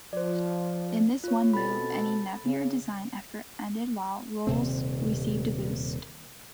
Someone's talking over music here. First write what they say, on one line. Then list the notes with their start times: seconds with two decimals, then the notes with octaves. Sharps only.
In this one move any Napier design effort ended while Rolls' received a boost.
0.13 F3 C5 D5
1.24 F4 C#5
1.54 B2 C4 A4 B5 A6
2.44 C#3
4.47 D#1 C3 C4